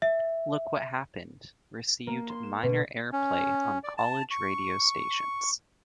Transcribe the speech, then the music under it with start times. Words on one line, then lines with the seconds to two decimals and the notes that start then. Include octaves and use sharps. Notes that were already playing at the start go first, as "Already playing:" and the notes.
"Look What Happened" received minor airplay on college radio stations.
0.02 E5
2.07 A#3
2.29 C6
2.43 E7
2.63 B2
3.13 C#4
3.84 D5
3.97 A5
4.31 C#6